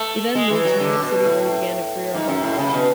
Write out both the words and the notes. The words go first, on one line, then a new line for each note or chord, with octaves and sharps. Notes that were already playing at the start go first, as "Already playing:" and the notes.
He then moved to New York City where he began a career on Broadway.
Already playing: A3
G#3
E3
F#3
D3
B2
A2
G#2
F#2
A2
C#3
B2